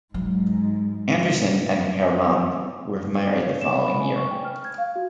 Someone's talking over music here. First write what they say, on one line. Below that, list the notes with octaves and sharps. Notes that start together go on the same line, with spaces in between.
Anderson and Herrmann were married the following year.
G#2 F#3
C#5
C#5
E7
B5
G#5
C#6
G5
F6
G#6
F5
F#4